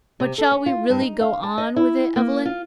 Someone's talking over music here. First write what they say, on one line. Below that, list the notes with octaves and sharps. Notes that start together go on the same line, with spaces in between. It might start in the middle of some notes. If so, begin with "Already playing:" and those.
"But, shall we really go on with it, Evelyn?"
C3
A4
C#4
F4
G2
D#4
F5
A5
D#5
E4
A#3
F4